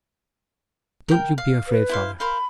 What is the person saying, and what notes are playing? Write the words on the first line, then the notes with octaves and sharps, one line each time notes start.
'Don't you be afraid, father.'
A#4 G5
F5
B4
E4 C5 F5
A#4 C5 F5 B5